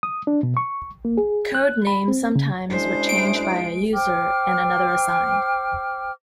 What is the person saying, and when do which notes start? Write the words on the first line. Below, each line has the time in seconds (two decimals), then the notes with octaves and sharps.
Code names sometimes were changed by a user and another assigned.
0.03 D#6
0.27 D4
0.43 B2
0.57 C#6
1.05 A#3
1.18 G#4
1.55 F#6
1.87 B5
2.08 C4
2.36 C#3
2.70 F#2 G#3 D4 E4 C5
3.09 D7
3.94 C5 G5 D6 F6